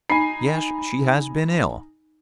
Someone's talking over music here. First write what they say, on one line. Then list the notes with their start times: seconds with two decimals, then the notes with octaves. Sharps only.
"Yes, she has been ill."
0.10 D#4 G#5 B5 C7